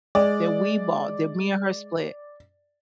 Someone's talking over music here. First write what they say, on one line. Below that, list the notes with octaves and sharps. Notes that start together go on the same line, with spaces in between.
that we bought, that me and her split.
G#3 D5